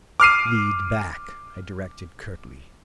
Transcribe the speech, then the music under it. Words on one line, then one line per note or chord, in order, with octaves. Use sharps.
"Lead back," I directed curtly.
D6 F6 C7 D#7